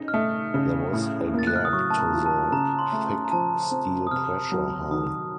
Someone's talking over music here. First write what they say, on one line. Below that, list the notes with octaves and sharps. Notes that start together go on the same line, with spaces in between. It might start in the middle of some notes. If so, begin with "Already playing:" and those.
There was a gap to the -thick steel pressure hull.
Already playing: C#3 D#4
F6
A3 D#6
C#3
A2
A#3 A6
F#6
F6
D#6
F#3 C#6
A5
A#5
F4
A5
C#3 A#5
C6
A3
A#5
F3 A5
C4
D#6
C3 F6
F#3
D#3 D#6
D#6